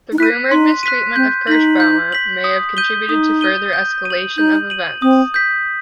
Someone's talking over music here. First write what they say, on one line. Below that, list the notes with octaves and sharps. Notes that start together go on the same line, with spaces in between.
The rumored mistreatment of Kerschbaumer may have contributed to further escalation of events.
D#4
E4 F#6 B6 D#7
D#4 C6
F#6 B6 D#7
C4 G6
D#4 B6 F#7
G6
B6 F#7
D#6
G6 D#7 G7
D#4 D#6
G6 D#7 G7
G6
D#7
F#7
D#4 G6
D#7 F#7
C4 D#6
G6 B6